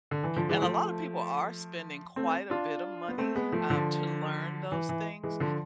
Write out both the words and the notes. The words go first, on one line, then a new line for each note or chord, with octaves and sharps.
And a lot of people are spending quite a bit of money, uh, to learn those things
D3
E3
D3 F3
E3 G#3
F3 A3
A3 C4
D4 F4
B3
A3 C4
G#3 B3
F3 A3
D3 F3
E3
E3
E3 G#3
D3 F3